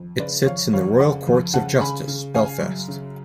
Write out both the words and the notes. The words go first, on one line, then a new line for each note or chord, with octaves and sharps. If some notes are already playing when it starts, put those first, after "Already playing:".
It sits in the Royal Courts of Justice, Belfast.
Already playing: F2
C#3 B4 D5
F2 C#5 F5
F2 C#5 F5
C#3 D5 F#5
F2
C#3 F#5 A5
C#3 G#5 B5
C#3
C#3 F5 G#5
F#2
C#3